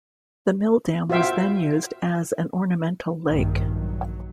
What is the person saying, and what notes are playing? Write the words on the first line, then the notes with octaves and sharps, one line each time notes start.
The mill dam was then used as an ornamental lake.
F4 F#4 C5 E5 F5 G5
A#1 G2 D#3
F#3